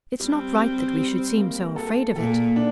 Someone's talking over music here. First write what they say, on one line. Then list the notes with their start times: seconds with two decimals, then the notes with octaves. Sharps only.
It's not right that we should seem so afraid of it.
0.20 G3 C4
0.59 G3
0.97 G3
1.37 A#3
1.76 A4
2.16 A#2 A4
2.56 D4